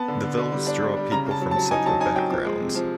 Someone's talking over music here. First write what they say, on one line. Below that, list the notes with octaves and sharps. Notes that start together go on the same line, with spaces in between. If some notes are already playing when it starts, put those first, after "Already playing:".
The villas draw people from several backgrounds.
Already playing: B3 A5
D3
D3
D3
G3
D4
G3
G3
C#3 A#5
C#3 A5
F#3
A5
F#3
D#4 G#5
F#3 A5
D#4 G#5
F#3 G5
F3
G#3
C3
F3